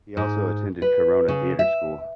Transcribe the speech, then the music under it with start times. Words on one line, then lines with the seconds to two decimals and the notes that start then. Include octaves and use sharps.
He also attended Corona Theatre School.
0.17 G#2
0.82 B4
1.28 C#3
1.59 E5